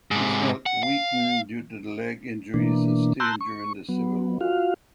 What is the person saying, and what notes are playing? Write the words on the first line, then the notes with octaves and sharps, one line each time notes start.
His health weakened due to the leg injury he sustained during the Civil War.
G#2 C3
F#5
F5
B2 E3 A#3 D4
A5 A#5 C6 E6 F#6 G6
C#6
F#3 B3
F4 F#4 F5